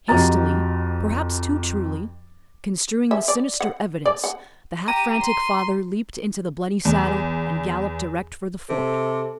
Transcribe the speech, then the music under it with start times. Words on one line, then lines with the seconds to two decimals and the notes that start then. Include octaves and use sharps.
Hastily--perhaps too truly--construing the sinister evidence, the half-frantic father leaped into the bloody saddle, and galloped direct for the Fort.
0.08 F2 F#4 G4 D#5 A#5 A6
3.11 E5
3.28 D5
3.60 F#5
4.06 D5
4.24 F#5
4.88 G4 A#5 D#7
5.22 C6
6.85 E2
8.70 C3 A4